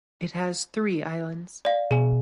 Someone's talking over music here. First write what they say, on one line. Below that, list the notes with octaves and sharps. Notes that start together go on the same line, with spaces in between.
It has three islands.
D5 F5
B2 G#4 G#5